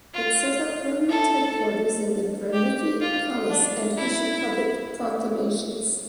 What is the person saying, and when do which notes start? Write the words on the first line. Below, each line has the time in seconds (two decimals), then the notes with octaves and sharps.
It set up permanent headquarters in the Branicki Palace and issued public proclamations.
0.13 F4
1.09 A4
2.53 G4
3.01 F4
3.49 D4
3.97 E4